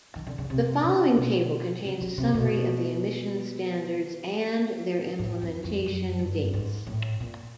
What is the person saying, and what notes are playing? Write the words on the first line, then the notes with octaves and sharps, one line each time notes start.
The following table contains a summary of the emission standards and their implementation dates.
D#3
D3
C#3
C3
C#3
B2
C#3
C#3
C3
B2
A2
F2
F2
F#2
G2
G#2
A2
A#2